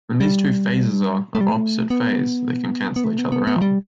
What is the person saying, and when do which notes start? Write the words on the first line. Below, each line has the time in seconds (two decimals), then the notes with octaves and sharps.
When these two phasors are of opposite phase they can cancel each other out.
0.20 G3
1.35 A3
1.41 G3
1.49 A3
1.90 B3
2.96 B3
3.04 A3
3.19 B3
3.32 B3
3.47 B3
3.57 F3
3.62 G3